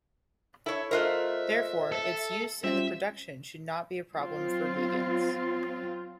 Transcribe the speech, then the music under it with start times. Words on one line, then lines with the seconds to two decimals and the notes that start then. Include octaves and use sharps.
Therefore, its use in the production should not be a problem for vegans.
0.66 E4 A4 C#5
0.91 A3 F4 A#4 C5 D#5 E5 F#6
1.92 A4
2.64 G3 C4 C#4 F4 E5
4.15 F#3 C4 F4